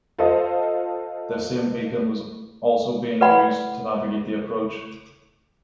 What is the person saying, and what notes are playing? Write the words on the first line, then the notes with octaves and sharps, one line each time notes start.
This same beacon was also being used to navigate the approach.
F4 A4 C5 D#5 F5
B4 D5 F#5 B5